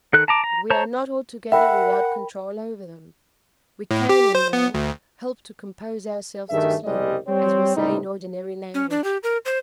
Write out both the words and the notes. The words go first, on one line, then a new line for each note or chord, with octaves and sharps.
But we are not altogether without control over them. We can, we know, help to compose ourselves to sleep, as we say in ordinary language.
D#3 A4 F#6
A5 A#5 D6
A#5
C5 C#5 A5 A#5
A#4 E5 F#5 G5 B5
A2
G4
C5
B3
D2
G2 D#3 G3 A3 G#4 E5
F#1 C2 G3 G#3 D5 D#5
G3 C4 C#5
C#2 A2 C3 G3 D#4
C#4
D4
G4
A#4
C5